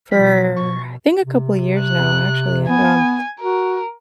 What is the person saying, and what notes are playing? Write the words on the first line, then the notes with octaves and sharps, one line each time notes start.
for, I think, a couple years now, actually, and, um
B2 F3 B6
B2 C#6
C3
F#6
B3 G#5
F#4 A#4